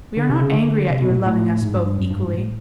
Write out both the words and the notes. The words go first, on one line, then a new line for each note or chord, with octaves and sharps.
We are not angry at your loving us both equally.
D3
C3
C#3
D3
C3
B2
A2
A#2
A2
G#2
G2
G2
F#2
G2
G#2
A2